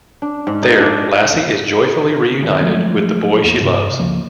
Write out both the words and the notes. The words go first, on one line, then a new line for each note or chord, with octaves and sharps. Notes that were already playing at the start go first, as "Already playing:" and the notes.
There, Lassie is joyfully reunited with the boy she loves.
D4
G#2
D#4
D4
D#3 C4
F3 F#3 G#3 A3
E2 A#3
G2 C3
C#2 F3 A#3